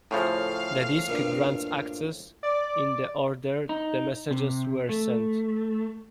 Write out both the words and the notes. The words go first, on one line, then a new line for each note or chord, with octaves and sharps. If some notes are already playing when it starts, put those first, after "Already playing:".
The disk grants access in the order the messages were sent.
A2 C#3 F3 F5
G2 A#2
D5
D#4
C3
A3